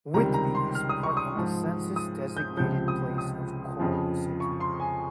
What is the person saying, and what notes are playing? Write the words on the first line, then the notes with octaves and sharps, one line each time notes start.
Whitby is part of the census-designated place of Coal City.
C#2 C3 D#3 G3 A#5
A#5
C6
F6
D#6
C#6
D#6
G#2 F3
D#6
G6
C#2 C3 F3 G6
D#6
D#6
F2 C#3 F3
C#6
C6
G#5